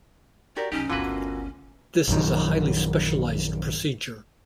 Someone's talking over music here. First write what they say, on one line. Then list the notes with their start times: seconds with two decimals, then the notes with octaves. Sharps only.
This is a highly specialized procedure.
0.56 F#4 G4 A#4 D5
0.72 C2 F#2 C#4 D#4 G4
0.90 G1 D2 D3 E3 F4 F#4 A#4 B4
2.08 A#1 F#2 D#3